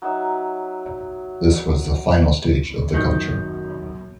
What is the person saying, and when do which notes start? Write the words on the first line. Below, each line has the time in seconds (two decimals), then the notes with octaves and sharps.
This was the final stage of the culture.
0.02 F#3 D#4 E5
2.94 F#2 D#3 G6